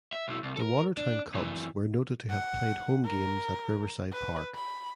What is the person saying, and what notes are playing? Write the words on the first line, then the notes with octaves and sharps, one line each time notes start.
The Watertown Cubs were noted to have played home games at Riverside Park.
E5
B1 E4
C2
A4 A#4
D4
F#2 E3
F#5
A#4
B4
B5